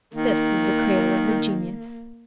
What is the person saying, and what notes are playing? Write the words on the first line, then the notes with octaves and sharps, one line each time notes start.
This was the cradle of her genius.
D#3 A#3